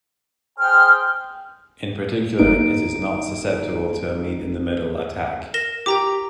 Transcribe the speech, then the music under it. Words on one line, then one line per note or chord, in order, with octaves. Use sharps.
In particular, it is not susceptible to a meet-in-the-middle attack.
G#4 C5 G5 F6
G1 A#3 D#4 D7
A#4 A#6 E7
G4 G5 A#5 D6